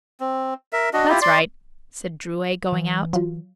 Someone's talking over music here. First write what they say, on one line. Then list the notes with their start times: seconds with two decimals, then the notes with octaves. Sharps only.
"That's right," said Drouet, going out.
0.20 C4
0.73 A#4 E5
0.93 D4 F#4 D#5
1.09 E4 F4 G4
1.22 D5 C6
2.72 E3
3.13 F#3 F4